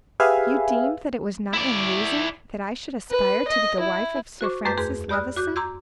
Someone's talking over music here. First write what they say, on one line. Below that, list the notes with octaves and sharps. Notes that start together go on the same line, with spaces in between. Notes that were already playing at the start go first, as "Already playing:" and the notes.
"You deem that it was not in reason that I should aspire to be the wife of Sir Francis Levison?"
G4 G#4 B4 E5 F5 G#5
E4 D5
B4
D#5
E4
F#4 C5 C#6 D6
F#2 A3 B4 C6 D6 G6
E2 G#4 B4 C6
G4 D5 B5 D#6 F6 F#6
F#4 D6 F#6 G6
A#5 C6 D6 E6 G6 G#6